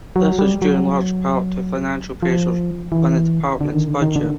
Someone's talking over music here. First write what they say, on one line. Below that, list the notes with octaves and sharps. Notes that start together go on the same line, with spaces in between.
This was due in large part to financial pressures on that department's budget.
F#3
G3
F#3
F3
E3
D3
D#3
D3
D#3
D3